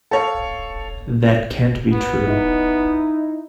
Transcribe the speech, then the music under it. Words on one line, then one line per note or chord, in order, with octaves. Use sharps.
That can't be true.
A4 C#5 F5
B3
D#4 E4